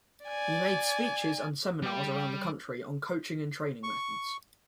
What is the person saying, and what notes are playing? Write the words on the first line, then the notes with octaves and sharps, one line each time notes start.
He made speeches and seminars around the country on coaching and training methods.
D5 G#5
G3 G5
C#6